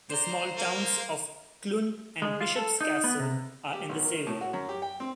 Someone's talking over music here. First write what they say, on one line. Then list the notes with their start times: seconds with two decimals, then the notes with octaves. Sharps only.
The small towns of Clun and Bishop's Castle are in this area.
0.10 C5 D5 A#5
0.57 A#3 F5
2.22 G#3
2.40 F4
2.56 A4
2.81 D#4
3.04 B3
3.19 C3
3.73 G4
3.89 B1
4.05 D#3
4.27 A2
4.41 F#4
4.53 F#2
4.69 G4
4.82 G5
5.00 C4